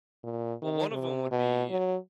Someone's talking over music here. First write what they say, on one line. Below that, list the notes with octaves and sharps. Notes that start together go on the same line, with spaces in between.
Well, one of 'em would be,
A#2
D#3
C3
B2
F#3